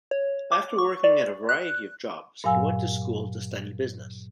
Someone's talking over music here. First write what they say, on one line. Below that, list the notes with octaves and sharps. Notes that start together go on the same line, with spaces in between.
After working at a variety of jobs, he went to school to study business.
C#5
D6
C#6
D5
F#6
G2 A#2 F#3 F5 G#5 E6